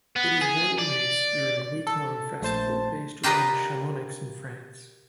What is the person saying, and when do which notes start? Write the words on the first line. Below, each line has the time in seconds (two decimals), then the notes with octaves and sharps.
It is one race during a week-long festival based around Chamonix in France.
0.16 B3
0.41 G#4
0.78 D5
1.87 A4
2.41 A#1 A3 C5 A5
3.23 F4 G4 A#4 B4 D5 D#5